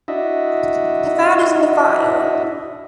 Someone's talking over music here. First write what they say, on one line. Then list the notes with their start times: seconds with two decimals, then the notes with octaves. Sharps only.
The fat is in the fire.
0.08 D4 E4 F#4 D#5 E5